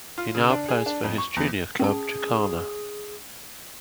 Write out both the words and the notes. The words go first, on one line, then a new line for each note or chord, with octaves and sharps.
He now plays for his junior club, Jacana.
F4
C#3
D4
G#4
D4
F2
C#6
E2
C#4 G#4 A5